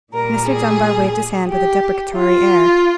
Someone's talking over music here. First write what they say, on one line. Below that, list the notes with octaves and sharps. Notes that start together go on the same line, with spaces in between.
Mr. Dunbar waved his hand with a deprecatory air.
A#2 G3 A#4
G#4
G4
F4